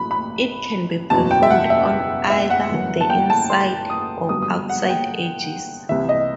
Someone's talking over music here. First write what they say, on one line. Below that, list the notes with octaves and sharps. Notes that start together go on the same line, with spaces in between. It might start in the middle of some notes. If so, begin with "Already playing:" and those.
It can be performed on either the inside or outside edges.
Already playing: A1 A2 F#3 B5
B5
F#1 E2 B2 F#3 A5
G5
E5
F#5
E5
E5
F#5
G1 F#2 E3
A5
G5
A5
C6
D#6
G1 G2 F#3 D#6
D#6
F#5
F#5
G5
C2 C3 E3 E5
D#5